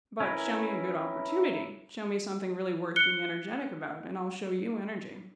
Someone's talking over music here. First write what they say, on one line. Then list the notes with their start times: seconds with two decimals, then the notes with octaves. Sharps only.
But show me a good opportunity, show me something really worth being energetic about, and I'll show you energy.'
0.20 C#4 E4 A#4 B4
2.96 F#6 C#7 G7